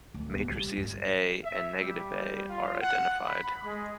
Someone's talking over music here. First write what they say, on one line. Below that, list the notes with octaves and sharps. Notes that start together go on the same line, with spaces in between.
The matrices "A" and "-A" are identified.
D1
B2
G3
G2
E5
G3
F4
F#5
B5
G#3